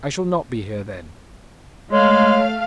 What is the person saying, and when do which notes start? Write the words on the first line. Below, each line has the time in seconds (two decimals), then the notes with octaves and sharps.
'I shall not be here then.'
1.92 G#3 A3 C#5 F5